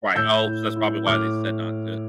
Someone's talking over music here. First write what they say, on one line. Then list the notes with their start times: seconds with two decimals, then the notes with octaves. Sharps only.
Right oh, so that's probably why they said not to.
0.15 A2 E6 G6
0.47 E4
0.76 E4
1.06 A2 D6 F6